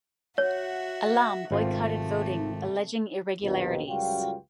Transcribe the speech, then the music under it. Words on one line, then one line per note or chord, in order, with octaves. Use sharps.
Alam boycotted voting alleging irregularities.
F#4 C#5 E5 F#5
G#1 C3 A3 C4 F4
A#1 D#2 B2
C#2 F#2 G3 F4 F#4 G5